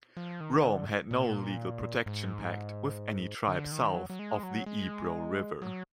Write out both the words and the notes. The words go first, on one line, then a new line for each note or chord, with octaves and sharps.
Rome had no legal protection pact with any tribe south of the Ebro River.
F3
D#3
D3
A#2
G#2
D3
D#3
F#3
F#3
G#3
F#3
G#3
F#3